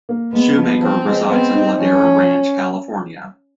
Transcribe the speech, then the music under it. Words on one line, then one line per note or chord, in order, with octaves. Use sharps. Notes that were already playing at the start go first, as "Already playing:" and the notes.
Schumaker resides in Ladera Ranch, California.
A#3
G#3 B3
F3
F3 C4
G#3
B3 C4
D#4
F3 C#4
F3